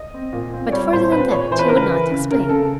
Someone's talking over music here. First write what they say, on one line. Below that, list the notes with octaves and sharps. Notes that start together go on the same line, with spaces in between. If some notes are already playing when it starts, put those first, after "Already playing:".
But further than that he would not explain.
Already playing: D#5
C4
A#2
C4
D5
G3 C#5
A#2 C5
C5
C4 B4
A#2 C#5
E3 C5
B4
A#4
C#3 B4
E3
C#3
C#3 A#4
C#3 A4